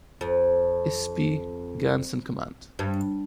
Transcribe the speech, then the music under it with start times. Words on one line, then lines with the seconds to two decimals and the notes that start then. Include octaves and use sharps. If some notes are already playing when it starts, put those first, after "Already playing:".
S. P. Gantz in command.
0.21 F2
2.79 G2